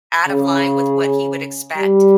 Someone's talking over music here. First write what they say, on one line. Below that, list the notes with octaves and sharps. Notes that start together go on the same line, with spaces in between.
out of line with what he would expect.
C#3
G3